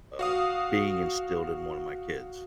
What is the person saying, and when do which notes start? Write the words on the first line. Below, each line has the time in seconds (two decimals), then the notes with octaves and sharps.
um, being instilled in one of my kids.
0.19 F#4 F5 D#6